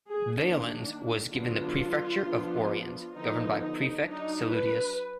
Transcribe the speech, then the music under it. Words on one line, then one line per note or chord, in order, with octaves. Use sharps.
Valens was given the Prefecture of Oriens, governed by prefect Salutius.
G#4
D#3 A#3 D4
D3 F#3 B3 D4 F4
F3 B3 D4
D3 F3 B3 D#4
D#4
F#3 D4 D#4
B4